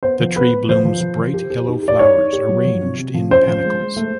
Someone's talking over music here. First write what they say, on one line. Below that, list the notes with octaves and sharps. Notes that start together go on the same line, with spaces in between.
The tree blooms bright yellow flowers arranged in panicles.
B3 C5
F3
B3 B4
B3
F3 C5
F3
F3
F3
G4
G4
D#4
G4
D5
D#4 C#5
D#4
G4
F#3
F3
C3
C3
F3
C#4 C5
F3
G#3
G#3
A3